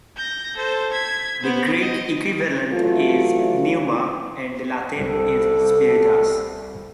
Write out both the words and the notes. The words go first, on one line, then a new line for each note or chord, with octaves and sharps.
The Greek equivalent is "pneuma" and the Latin is "spiritus".
G6 A#6
A4 C5
G#6 B6
B3 C5
D#5
E3 F#3 A3 F4
C2 A4